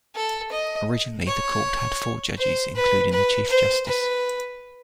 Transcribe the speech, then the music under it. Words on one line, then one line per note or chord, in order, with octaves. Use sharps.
Originally, the Court had four judges, including the Chief Justice.
A4
D#5
C#5
C5
B4
B4
C5
B4